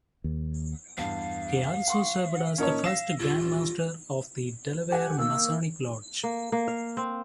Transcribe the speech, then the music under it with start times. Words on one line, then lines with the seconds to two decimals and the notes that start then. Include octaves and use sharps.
He also served as the first Grand Master of the Delaware Masonic Lodge.
0.24 D#2
0.97 E2 G2 F5
1.88 F#5 C6 C#6
2.58 A#2 C#4 D#4 A#4 C#5 A5
2.84 F5 E6 A#6 E7
3.19 D#1 F4 E6
4.91 G4 A4 F#5 G#5
5.18 D#3 A#3 E6
6.23 A#3
6.52 A#3
6.68 F5
6.97 C4